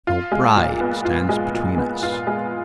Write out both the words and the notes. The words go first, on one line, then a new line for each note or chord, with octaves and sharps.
"Your bride stands between us."
F4
G#3
A#2
B3
F4
G#3
A#2
B3
F4
G#3